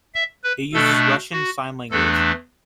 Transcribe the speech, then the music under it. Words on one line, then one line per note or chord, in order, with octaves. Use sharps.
It uses Russian Sign Language.
E5
B4
B2 A3 D4 A4
F#4
E2 E3 A3 D4 A4